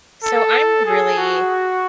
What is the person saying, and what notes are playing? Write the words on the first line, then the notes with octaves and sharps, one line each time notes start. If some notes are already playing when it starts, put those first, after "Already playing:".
So, I'm really
A4
G#4
F#4